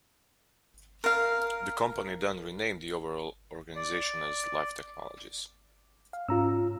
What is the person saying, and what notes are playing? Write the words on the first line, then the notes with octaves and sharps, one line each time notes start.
The company then renamed the overall organization as Life Technologies.
A#4 F5
D5
F5
G#2 C#4 F4 A#5 E6